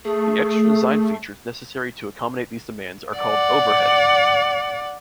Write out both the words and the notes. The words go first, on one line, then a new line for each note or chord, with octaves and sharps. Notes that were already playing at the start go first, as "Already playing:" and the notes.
The extra design features necessary to accommodate these demands are called overhead.
A3 G#4
D5 F#5